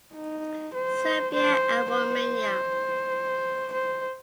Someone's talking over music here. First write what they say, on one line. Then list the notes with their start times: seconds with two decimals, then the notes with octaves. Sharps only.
Serbia and Romania.
0.15 D#4
0.74 C5
1.34 C5
1.94 C5
3.73 C5